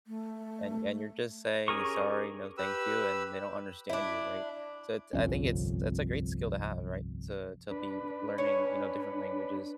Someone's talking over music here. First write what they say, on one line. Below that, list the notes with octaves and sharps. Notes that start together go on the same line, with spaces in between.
and and you're just saying, "Sorry, no, thank you," and they don't understand you, right, so it's I think it's it's a great skill to have, right, so, to be l learning, you know, different languages,
A3
C#4 G4 G#4 A#4 C#6
G4 B4 E6
D4 E4
G1 C2 F2 C#4
D4 B4
C#4 C#5